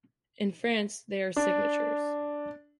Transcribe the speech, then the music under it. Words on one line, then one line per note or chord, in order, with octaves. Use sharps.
In France they are "signatures".
D4